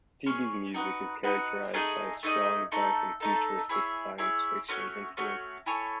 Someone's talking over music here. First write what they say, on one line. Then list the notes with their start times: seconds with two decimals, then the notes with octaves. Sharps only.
Teebee's music is characterised by a strong dark and futuristic science fiction influence.
0.26 C#4 G#4 C#5
0.74 D#4 F#4 B4
1.24 D#4 F#4 B4
1.74 A3 D#4 G#4 D#5
2.23 A3 D#4 G#4 D#5
2.72 A3 D#4 A4
3.20 A3 D#4 A4
3.69 E4 G#4 C#5 E5
4.18 E4 G#4 C#5 E5
4.68 A3 C#4 F#4 C#5
5.17 A3 C#4 F#4 C#5
5.66 E4 A4 C#5 G#5